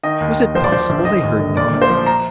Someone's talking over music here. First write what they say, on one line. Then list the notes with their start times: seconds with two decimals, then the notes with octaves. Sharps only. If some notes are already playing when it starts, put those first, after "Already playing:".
Was it possible they heard not?
0.03 D#3 D#5
0.20 D#2
0.39 D#2
0.55 F3 C5
0.64 D5
0.72 F3 C5
0.89 A#1
1.05 D#2 D#5
1.23 D#2
1.39 D3
1.57 A#2 D5
1.73 A#1
1.82 C5
1.90 F3
2.06 A#5